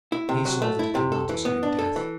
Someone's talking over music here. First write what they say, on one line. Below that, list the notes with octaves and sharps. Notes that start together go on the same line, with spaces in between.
He saw that he could not escape death.
E4
C3
F#3
A3
E4
C3
A4
E3
B3
D4
A4
E3